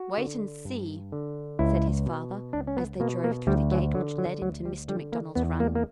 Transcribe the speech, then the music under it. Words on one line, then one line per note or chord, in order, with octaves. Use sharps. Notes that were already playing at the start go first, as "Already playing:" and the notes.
"Wait and see," said his father as they drove through the gate which led into Mr. McDonald's run.
Already playing: F#4
D3
G2
D3
C#2 E4
B2
C#2 D4
C#4
B3
B2 A#3
A#3
D2 G3
F#3
D3 F#3
F#3
D2 F#3
G3
D3 G3
A#3
E2 B3
A#3
A#3